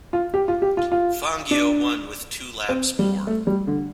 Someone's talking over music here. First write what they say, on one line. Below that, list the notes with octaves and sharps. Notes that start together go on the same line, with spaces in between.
Fangio won with two laps more.
F4
G4
F4
G4
F4
F4
D4
C4
G3
A3
G3
D3